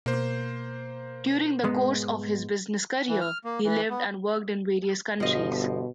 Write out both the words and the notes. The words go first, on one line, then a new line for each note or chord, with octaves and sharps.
During the course of his business career he lived and worked in various countries.
B2 A#3 C5
G#2 G#3 B3
E3
F6
A#3
E3
B3
G1 B2 F3 D#5